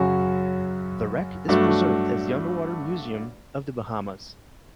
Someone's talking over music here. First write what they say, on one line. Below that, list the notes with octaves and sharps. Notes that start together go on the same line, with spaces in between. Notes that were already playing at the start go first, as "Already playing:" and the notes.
The wreck is preserved as the Underwater Museum of the Bahamas.
Already playing: F#2 C#3 F#3 C#4 F#4
G2 F#3 A3 D4 F#4